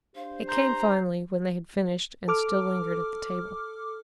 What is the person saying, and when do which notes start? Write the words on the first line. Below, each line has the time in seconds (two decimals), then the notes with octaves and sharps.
It came finally when they had finished and still lingered at the table.
0.16 D4 G4 C5 F5
0.49 A#5 C6 G6 C7
2.28 A4 D6 F6